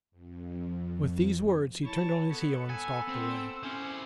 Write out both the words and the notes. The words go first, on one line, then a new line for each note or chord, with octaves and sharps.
With these words he turned on his heel and stalked away.
F2
E4 C#5 A5
B3 A4 C#5
G#5 E6
C4
C#4 E4 C5